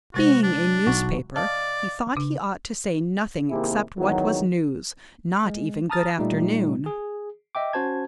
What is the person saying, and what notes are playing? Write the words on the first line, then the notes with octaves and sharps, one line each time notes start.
Being a newspaper, he thought he ought to say nothing except what was news--not even "Good afternoon!"
C3 G#3 F#4 C5
D4
B1 F#4
D5 D#5 F5 A5
C#3 D4
C3 D#3 A#3 E4 G4 G#4
G#1 E2 D#3 F#3
G#3
A5 A#5 D#6 F6 A6
A#2 G3 A3 D#4 F4
G#4
D#5 E5 G5 D6
C#4 F#4 C5 A5 G#6